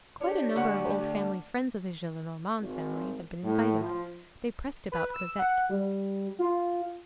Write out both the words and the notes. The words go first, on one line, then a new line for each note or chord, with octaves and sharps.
Quite a number of old family friends of the Gillenormand family had been invited; they pressed about Cosette.
D4 G4 C#5
D2 F#5 C#6
G#1
A2
F3
B4
E6
F#5
G3
F4